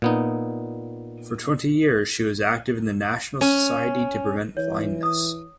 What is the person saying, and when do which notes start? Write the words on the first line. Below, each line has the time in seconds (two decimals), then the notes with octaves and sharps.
For twenty years she was active in the National Society to Prevent Blindness.
0.02 A#2 B3 D#4
3.41 C#4
4.57 E3 C#5
5.03 D#6